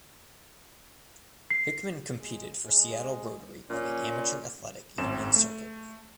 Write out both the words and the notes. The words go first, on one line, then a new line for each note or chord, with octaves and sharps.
Hickman competed for Seattle Rotary on the Amateur Athletic Union circuit.
C7
G#3
G#3
A#2 C#4
G#1 F#2 C4 E7
A3